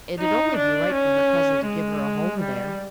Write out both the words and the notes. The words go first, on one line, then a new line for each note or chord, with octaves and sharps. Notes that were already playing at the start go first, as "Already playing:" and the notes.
"It'd only be right for her cousin to give her a home there."
D#4
D4
C#4
G#3
G3